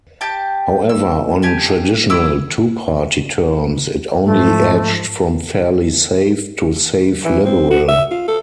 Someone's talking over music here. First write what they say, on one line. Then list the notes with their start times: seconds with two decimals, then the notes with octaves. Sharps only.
However, on "traditional" two-party terms, it only edged from fairly safe to safe Liberal.
0.21 G4 G5 A5
0.89 E6
1.42 G4 G#5 A5
2.10 E4 D6 E6
4.25 G#2 F3 A3
7.25 E3
7.45 C4
7.70 F#4
7.88 E5
8.11 F4
8.28 A4